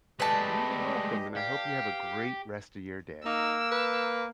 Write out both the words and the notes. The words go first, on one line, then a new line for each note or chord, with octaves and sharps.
You are welcome, and I hope you have a great rest of your day.
G#3 A3 D4 G4 B4 D#5 A5
G4 F5
A#3 D#4 E6
B4